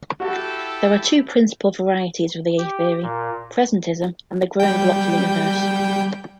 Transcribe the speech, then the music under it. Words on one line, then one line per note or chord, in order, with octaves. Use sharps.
There are two principal varieties of the A-theory, presentism and the growing block universe.
E4 F#4 G4 A4
G4
A#2
G3 G5